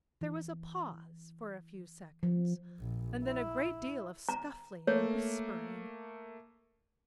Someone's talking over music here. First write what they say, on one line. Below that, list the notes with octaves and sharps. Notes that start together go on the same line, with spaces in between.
There was a pause for a few seconds; and then a great deal of scuffling and whispering.
E3
F3
A#1
E4
A#5
A3 A#3 C#5